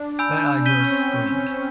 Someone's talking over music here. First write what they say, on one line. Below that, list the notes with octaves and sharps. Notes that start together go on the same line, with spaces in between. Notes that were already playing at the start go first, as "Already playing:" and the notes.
Where are yous going?
Already playing: D4
G#5 B5 E6 G6
C#4 G6 B6 D#7 G7
C#4
C4